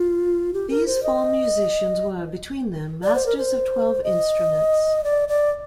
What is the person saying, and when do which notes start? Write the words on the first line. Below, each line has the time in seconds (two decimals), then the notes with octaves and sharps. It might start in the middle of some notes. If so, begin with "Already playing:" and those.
These four musicians were, between them, masters of twelve instruments.
Already playing: F4
0.54 G4
0.70 A#4
0.86 C5
1.03 D#5
3.04 D5
3.15 C5
3.26 A#4
3.37 C5
4.04 D#5
5.04 D5
5.28 D5